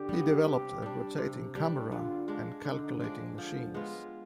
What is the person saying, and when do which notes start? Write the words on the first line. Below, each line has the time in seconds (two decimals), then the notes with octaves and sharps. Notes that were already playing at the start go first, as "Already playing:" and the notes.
He developed a rotating camera and calculating machines.
Already playing: D3 G4
0.09 G3 B3
0.45 C3
0.82 G3 D4
1.18 C3
1.55 G3 D4
1.91 D3 F4
2.28 G#3 D4
2.64 D3 D#4
3.00 F3 G#3 D4
3.37 D3 F3
3.74 G#3 B3 F4